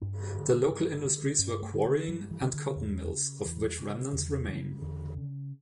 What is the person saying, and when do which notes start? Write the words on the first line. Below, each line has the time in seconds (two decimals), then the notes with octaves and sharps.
The local industries were quarrying and cotton mills, of which remnants remain.
0.02 G2 D4
0.36 D3
0.71 G2
1.05 D3
1.39 G2 C#4
1.62 A3
1.73 D3
1.84 A3
2.08 G2 F#3
2.31 E3
2.42 D3
2.53 D3
2.76 E2
3.11 C#3
3.45 E2 E3
3.80 C#3
4.13 E2 D3
4.47 C#3 E3
4.82 E2 D3
5.17 C#3